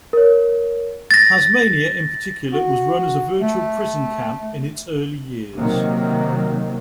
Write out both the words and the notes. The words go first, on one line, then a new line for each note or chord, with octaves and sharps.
Tasmania in particular was run as a virtual prison camp in its early years.
A#4 C#5
A6 A#6
F#4
A3
C3 D#3 F#3 A#3